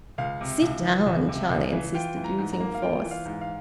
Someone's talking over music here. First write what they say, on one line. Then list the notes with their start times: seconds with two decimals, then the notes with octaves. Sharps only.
"Sit down!" Charlie insisted, using force.
0.18 C#2 F5
0.41 C3
0.62 C#2
0.84 E3
1.06 C#2
1.29 C3
1.50 C#2
1.72 E3
1.94 F4 G5
2.17 E3
2.24 A#5
2.39 G#2
2.53 A#5
2.60 A#3
2.74 F5
2.82 F4 G5
3.04 E3
3.11 F5
3.26 G#2
3.41 F5